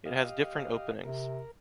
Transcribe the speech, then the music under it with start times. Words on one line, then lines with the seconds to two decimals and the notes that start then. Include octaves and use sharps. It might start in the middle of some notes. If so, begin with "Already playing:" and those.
It has different openings.
0.05 G4 D#5 F5
1.04 C3 A#4